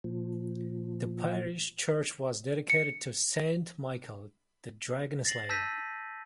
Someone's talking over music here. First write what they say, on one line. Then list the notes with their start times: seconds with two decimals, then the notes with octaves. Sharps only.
The parish church was dedicated to Saint Michael, the dragon slayer.
0.04 A#2 F3
2.70 C#7
5.25 A6 A#6 C7 F#7
5.49 A5 E6 G6 A#6 B6 D#7